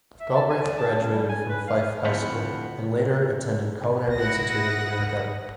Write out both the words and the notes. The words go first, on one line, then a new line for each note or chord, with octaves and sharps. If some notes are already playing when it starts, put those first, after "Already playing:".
Galbraith graduated from Fife High School and later attended Culinary Institute of America.
E5
A5
G#5
D5
A5
C#4
G3
G#5
B4
F5
D2 A2 F3 B3 C4
E4 F#5 D#6 A#6